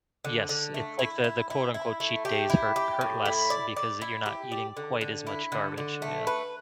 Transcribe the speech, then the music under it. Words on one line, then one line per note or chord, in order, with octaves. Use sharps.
Yes. It's like the the quote, unquote “cheat days” hurt hurt less because, uh, you're not eating quite as much garbage, yeah.
D3
D3
A3
E4
E4
E4
E4
A3
G4
E4
G4
A2
E4
D5
D5
E4
G4
D5
D3
D3
E4
D3
D3
A3
B4